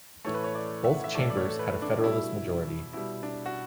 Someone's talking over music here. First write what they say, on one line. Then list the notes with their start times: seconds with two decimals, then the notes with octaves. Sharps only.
Both chambers had a Federalist majority.
0.25 A2 E3 A3 C#5
0.34 B4
0.44 C#5
0.55 D5
0.84 E5
0.94 F#5
1.04 E5
1.15 A2 E3 A3 D5
1.30 D5
1.37 C#5
1.49 A4
1.59 B4
1.82 D4
1.96 D4
2.04 B2 G3 E4
2.93 B2 G3 E4
3.23 D4
3.46 F#4